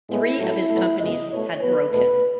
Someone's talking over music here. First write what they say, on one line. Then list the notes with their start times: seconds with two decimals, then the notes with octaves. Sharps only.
Three of his companies had broken.
0.09 A2 G#3 B3 E4
0.39 A2 F#3 A3 E4
0.70 B2 F#3 A3
0.99 F#2 C#3 G#3 B3 D#5
1.30 B2 A3 C#5
1.60 B2 F#3 B3 B4
1.91 E2 B2 A3 B4